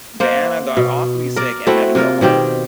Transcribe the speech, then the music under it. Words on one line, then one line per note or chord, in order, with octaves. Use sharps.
Diana got awfully sick and had to go home.
A#3 C5 F#5
B2
A#4 D5
A3 C4 E4 F#4
C3 A#3 F4 A#4
B2 D#3 C4 G4